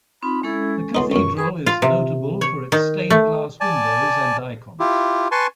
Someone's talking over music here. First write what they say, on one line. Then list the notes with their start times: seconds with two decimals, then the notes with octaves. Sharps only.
The Cathedral is notable for its stained glass windows and icons.
0.23 C4 D#4 F4 B5
0.43 G#3 C#4 E4 A4
0.95 C#2 B3 D#4 C6
1.11 C#2 F#2 C#6
1.37 G#4 B4 B5 C#6
1.66 F4
1.82 C3
2.41 C#5
2.72 D#3
3.10 A3
3.61 D5 G#5 A5
4.80 E4 F4 G4
5.31 B4 G#5 A5 C6 C#6